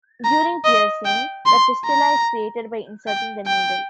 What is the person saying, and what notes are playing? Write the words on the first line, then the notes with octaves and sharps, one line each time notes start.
During piercing, the fistula is created by inserting the needle.
A#5
D#5
G5
C6
A#5
G5
G5